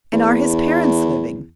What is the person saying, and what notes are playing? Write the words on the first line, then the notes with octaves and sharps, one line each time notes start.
"And are his parents living?"
E2